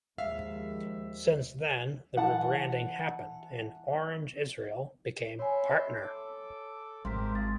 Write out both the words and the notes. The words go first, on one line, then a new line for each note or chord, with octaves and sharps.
Since then, the rebranding happened and Orange Israel became "Partner".
D#2 F3 G#3 E5 F5
E3 F#5 A5
E4 C#5 E5 G#5 C6
A4 D6
G#1 G4 A#4 C5 C6 B6
F4 G#4 A6